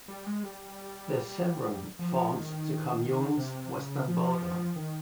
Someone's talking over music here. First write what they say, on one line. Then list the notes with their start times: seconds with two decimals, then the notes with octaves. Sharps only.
The Sevron forms the commune's western border.
0.08 G3
0.26 G#3
0.43 G3
1.99 F3
2.34 D#3
3.37 C3
3.73 C#3
4.08 F3
4.76 D#3